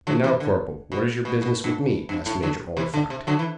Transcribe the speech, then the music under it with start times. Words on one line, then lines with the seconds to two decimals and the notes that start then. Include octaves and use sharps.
"And now, corporal, what is your business with me?" asked Major Oliphant.
0.07 D3 F#3
0.23 C3 E3
0.40 D3
0.92 B2
1.25 B2
1.42 B2
1.64 G2
2.09 G2
2.26 A2
2.43 D3 F#3
2.77 C3 E3
2.94 D3
3.10 C3
3.27 D3 F#3
3.39 E3